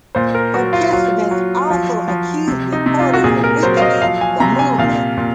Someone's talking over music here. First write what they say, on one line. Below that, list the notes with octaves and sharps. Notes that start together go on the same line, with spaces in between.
Participants also accused reporters of weakening the movement.
A#2 C5
A#4
F#3 F#4
F4
F#3 F4
F#3
F3
F3
C3
D#4
C3
F4
F#4
A#2 G#4
A#4
F#3 C5
F5
D#5
F3 F5
G#5
C3 A#5
G#5
A#2 F5
A#2